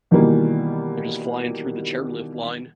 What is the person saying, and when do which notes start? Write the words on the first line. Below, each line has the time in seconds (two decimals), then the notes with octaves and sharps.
you're just flying through the chairlift line.
0.11 B2 D#3 E3 G3 A#3